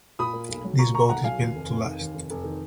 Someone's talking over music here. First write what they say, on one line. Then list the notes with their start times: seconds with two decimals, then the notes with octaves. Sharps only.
This boat is built to last.
0.19 A#2 B5 D#6
0.34 A#3
0.49 B1
0.65 F#3
0.79 A#2 A#5 C#6
0.94 A#3 A#5 C#6
1.09 B1 F#5 A#5
1.24 F#3 F5 G#5
1.39 D#2
1.55 F1
1.70 F1
1.84 D#3
2.00 D#2
2.15 F1
2.30 F1
2.44 D#3